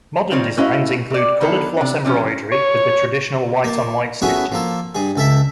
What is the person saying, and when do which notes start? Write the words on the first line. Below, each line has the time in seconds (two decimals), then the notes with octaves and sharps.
Modern designs include colored floss embroidery with the traditional white on white stitching.
0.31 D#3 G3 C4 F4 C#5
0.57 A3 C#4 E4 F#4 D#5 F5
1.10 C3 D5
1.41 D3 D#3 B3 E4 A4
1.77 C3 D4
2.05 C3 F3 C#4
2.52 C#5
3.64 A#3 A5
4.22 A3 B3 C#4 E4 F#4 G#4
4.52 F3 A#3 A4
4.95 G2 G#4
5.16 C#2 A4 E5